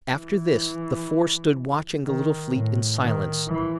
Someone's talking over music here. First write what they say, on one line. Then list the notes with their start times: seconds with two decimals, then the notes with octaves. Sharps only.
After this the four stood watching the little fleet in silence.
0.13 E3
2.05 D#3
2.53 A2
3.01 D#3
3.49 E3